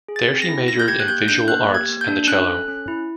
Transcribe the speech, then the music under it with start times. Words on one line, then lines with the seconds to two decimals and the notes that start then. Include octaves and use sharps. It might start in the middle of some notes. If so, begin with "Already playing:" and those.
There she majored in visual arts and the cello.
0.09 G#4
0.16 A6
0.28 C4
0.42 A#6
0.49 E4
0.68 A#3 A#6
0.80 G6
0.88 G4 G#6
1.00 F#6
1.08 A#3 G6
1.28 D4 G6
1.48 A#3 F#6
1.69 G4
1.75 G#6
1.89 A#3
2.01 G6
2.08 D4
2.28 C#4 F#6
2.48 A4
2.68 C#4
2.88 E4